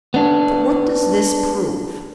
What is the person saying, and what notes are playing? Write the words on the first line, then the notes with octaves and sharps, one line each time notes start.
But what does this prove?
B3 D4